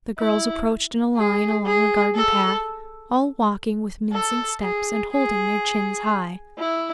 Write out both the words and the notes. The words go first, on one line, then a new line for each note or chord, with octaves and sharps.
The girls approached in a line along the garden path, all walking with mincing steps and holding their chins high.
E4
G#4
G#4
A4
A4
G#4
G#4
E4